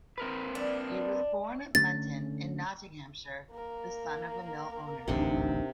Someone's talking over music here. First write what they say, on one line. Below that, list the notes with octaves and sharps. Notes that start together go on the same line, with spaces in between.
He was born at Lenton in Nottinghamshire, the son of a mill owner.
C4 A#4 B4
D4
D3 A3 C#4 A6
A#3 A#4
D#1 A1 D2 C3 D4 D#4 F#5 C6